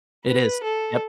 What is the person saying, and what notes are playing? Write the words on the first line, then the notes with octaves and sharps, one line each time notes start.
It is. Yep.
B4
A4